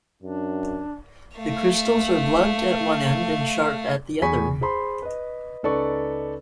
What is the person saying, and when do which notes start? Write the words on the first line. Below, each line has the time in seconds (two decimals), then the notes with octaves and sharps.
The crystals are blunt at one end and sharp at the other.
0.23 F#2 D4
1.37 A3 F5
4.22 E2 G#4 G#5 B5 C#6 B6
4.61 G#4 C5 B5 C6
5.02 B4 D#5
5.63 C#2 D#4 A4 B4 D5 C#6